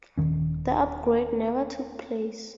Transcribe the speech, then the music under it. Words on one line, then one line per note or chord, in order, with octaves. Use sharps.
The upgrade never took place.
D#1 E2 D#3 C#4